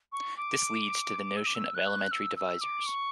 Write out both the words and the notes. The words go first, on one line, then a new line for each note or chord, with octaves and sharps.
This leads to the notion of elementary divisors.
C#6
D6
E6
D6
E6
F#6
E6
E6
D6
C#6